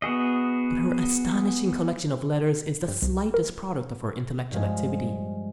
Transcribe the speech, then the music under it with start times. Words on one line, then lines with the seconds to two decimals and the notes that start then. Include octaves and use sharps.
But her astonishing collection of letters is the slightest product of her intellectual activity.
0.02 B3 F#4 G#4 D#5
2.88 G2
3.02 C2
3.34 A#4
4.51 G2 F3 G#3